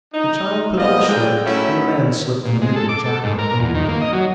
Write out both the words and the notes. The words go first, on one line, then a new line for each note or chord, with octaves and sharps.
The child put on the shirt, and the man slipped the knitted jacket over it.
D#4
B2 F3 A#3 D#5
G#2 D3 G#4 G5
F#3 A3 C#4 E4
A#2
G#3
A4
D6
A4
G#2
A#4
E2
D#3
A#3
D#5
F#3